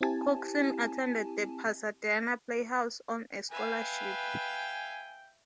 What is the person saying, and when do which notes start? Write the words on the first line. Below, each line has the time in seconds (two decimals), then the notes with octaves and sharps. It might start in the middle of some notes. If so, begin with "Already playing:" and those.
Cookson attended the Pasadena Playhouse on a scholarship.
0.01 C4 E4 G4 G#5 A5
3.51 B4 E5 F5 G5 G#5